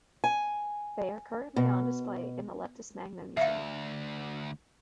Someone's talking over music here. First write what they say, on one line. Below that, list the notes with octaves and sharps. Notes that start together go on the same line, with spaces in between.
They are currently on display in the Leptis Magna Museum.
G#5
B2
D2 E5 F5